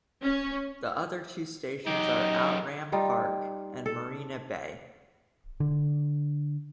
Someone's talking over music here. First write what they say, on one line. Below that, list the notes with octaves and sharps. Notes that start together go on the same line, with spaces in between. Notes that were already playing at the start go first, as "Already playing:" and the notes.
The other two stations are Outram Park and Marina Bay.
C#4
F#2 D#4 G4
G3 D#4 F4
A4
D3